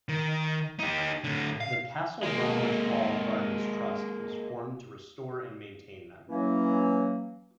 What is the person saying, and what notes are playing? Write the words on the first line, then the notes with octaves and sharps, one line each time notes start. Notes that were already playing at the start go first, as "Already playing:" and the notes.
The "Castle Bromwich Hall Gardens Trust" was formed to restore and maintain them.
D#3
D#4 G4
A2 D3
F5
G#3 A#3
E3 F#3 A#3 C#4